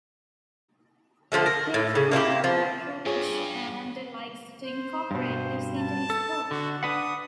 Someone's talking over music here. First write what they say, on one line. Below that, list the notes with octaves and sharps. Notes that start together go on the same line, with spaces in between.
He is a fan of retro-kitsch and likes to incorporate this into his work.
D3 F3 G#3 A3
A#4
A2
C#3
A#3 D4 E4 G4
F3
G2 F4 G#4 C#5
C5
G2 B2 C5
A5
A4
D3 F#4
D4 B4 F#5 D#6